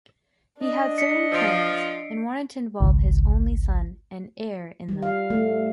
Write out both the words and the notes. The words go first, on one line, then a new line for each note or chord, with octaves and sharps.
He had certain plans and wanted to involve his only son and heir in them.
D4 D#5
B6 C#7
F3 E6 C7 D7
G#1 C#2
G3
F5
A3